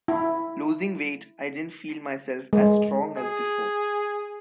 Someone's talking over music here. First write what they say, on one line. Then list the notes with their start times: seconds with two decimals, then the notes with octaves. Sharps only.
Losing weight I didn't feel myself as strong as before.
0.08 E4
2.53 G#3
3.17 G#4